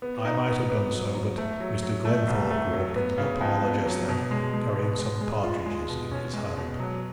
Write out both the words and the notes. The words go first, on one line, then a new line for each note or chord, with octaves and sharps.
I might have done so, but Mr. Glenthorpe walked into the parlour just then, carrying some partridges in his hand.
B3
D#4
B3
B3
F#3
F#3
A3
F#3
F#3
A3
C2
A3
F#3
B3
C#3
F2
B3
F#3
B2
G#3
G#3
B3
G#3
G#3
F4
G#3
B2
C#4
G#3
B2
F#3